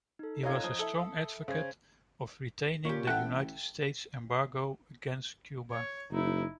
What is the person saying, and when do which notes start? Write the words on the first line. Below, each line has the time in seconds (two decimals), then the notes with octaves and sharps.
He was a strong advocate of retaining the United States embargo against Cuba.
0.19 D#4 A4
0.43 C#4 F4 D#5 A#5 G#6
0.64 F3 D#6
0.79 E4 A4
1.48 C#3 C5 G#6
2.85 A#2 C#4 G4
3.07 A1 E4 A4 F#5 G5 F#6
5.70 C#5
6.11 F#1 D#4 E4